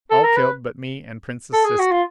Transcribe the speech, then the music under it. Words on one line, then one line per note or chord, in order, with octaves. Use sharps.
All killed but me and Prince's sister.
A4
A#4
B4
A4
G#4
F#4
F4